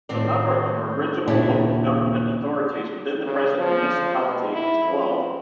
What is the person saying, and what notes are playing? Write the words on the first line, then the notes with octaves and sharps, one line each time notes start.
The number of original local government entities within the present municipality is twelve.
A2 D#3 C4 D5
D#2 A#2 C#3 D4 E4 G4
C#3
F3
B2
E4
F2